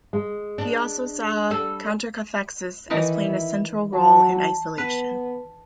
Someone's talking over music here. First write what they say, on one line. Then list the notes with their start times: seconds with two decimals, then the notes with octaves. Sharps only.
He also saw countercathexis as playing a central role in isolation.
0.13 G#3
0.58 D4
1.51 G3 A4
2.90 D#3 E3 D#4 E4
3.93 F#3 A5
4.78 B3 B4